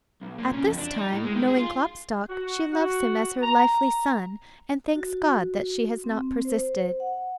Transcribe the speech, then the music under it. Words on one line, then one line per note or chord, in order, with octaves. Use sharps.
At this time, knowing Klopstock, she loves him as her lifely son, and thanks God that she has not persisted.
B1
A#2
C#3
F2
D4
D#4
A2
G#3
D#3
G#4
F4
F#4
F#4
A#5
F#4
C4
C5
F#5